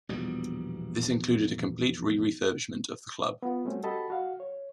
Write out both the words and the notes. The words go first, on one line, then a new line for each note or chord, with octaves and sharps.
This included a complete re-refurbishment of the club.
A#1 E2 B2 G3
B3 F4
G3 A3 C4 C#4 F#4
F#4 G4 A4 D#5 A5 B5
F#4 F5
C#5